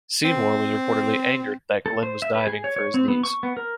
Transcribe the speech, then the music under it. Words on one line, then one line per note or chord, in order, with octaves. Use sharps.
Seymour was reportedly angered that Glenn was diving for his knees.
C4
A4
C5
E5
B4
G#4
C#5
C#5
C4
B3
C#6
B3
A#4